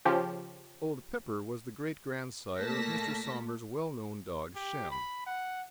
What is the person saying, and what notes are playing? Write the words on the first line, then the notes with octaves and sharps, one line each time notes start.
Old Pepper was the great-grandsire of Mr. Somner's well-known dog Shem.
C#3 F3 G4
A#2 A3 A#3 A5 A#6 B6
G4
B5
F#5